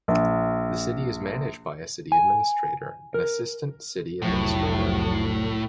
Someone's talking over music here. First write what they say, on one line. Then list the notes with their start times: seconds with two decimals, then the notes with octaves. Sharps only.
The city is managed by a city administrator and assistant city administrator.
0.08 A#1
2.12 G#5
3.14 A#4
4.22 F1 C2 A2 F#3